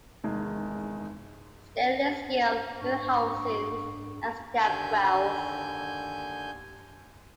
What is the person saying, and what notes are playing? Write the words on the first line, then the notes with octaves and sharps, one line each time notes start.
Stainless steel wheel housings and stepwells.
F1 E2 D#3 G#3
G#2 D4 C#6
D#2 D3 G#5 G6